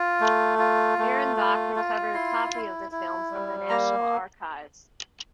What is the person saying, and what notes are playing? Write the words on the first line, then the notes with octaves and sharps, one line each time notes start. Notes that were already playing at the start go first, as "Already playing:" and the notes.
Birrenbach, recovered a copy of the film from the National Archives.
Already playing: F4
A3
F4
A3
F4
F4
E4 C6
E4
E4
G3
A#3 A#5